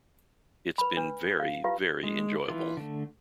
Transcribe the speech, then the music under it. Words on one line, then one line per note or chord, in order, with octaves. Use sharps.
It's been very, very enjoyable.
B4 B5
D4 B4
F5
E4 F4 G4 B4 F5
G#3
E3 F4
D3 A3